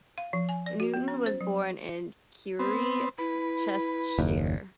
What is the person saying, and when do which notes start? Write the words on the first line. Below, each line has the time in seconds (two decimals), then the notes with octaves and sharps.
Newton was born at Crewe, Cheshire.
0.18 F5
0.33 F3
0.49 G#5
0.66 D5
0.80 F#4
0.94 B3
1.08 C#4
1.26 C5
1.41 F#3
2.59 B3 C4
3.18 E4 B4
4.19 F#1 D#2